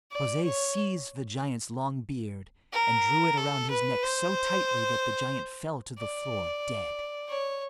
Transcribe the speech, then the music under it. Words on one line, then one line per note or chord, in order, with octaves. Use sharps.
Jose seized the giant's long beard and drew it around his neck so tightly that the giant fell to the floor dead.
D5
C#5
A#4
A4
B4
C5
D5
C#5